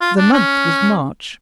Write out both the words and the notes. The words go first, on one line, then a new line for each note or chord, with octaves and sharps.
The month was March.
F4
D4
C#4